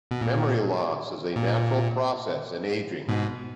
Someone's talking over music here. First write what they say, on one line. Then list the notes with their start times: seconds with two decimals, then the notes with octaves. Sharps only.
Memory loss is a natural process in aging.
0.11 B2
0.21 A#2
1.36 A#2
3.08 G#2 B2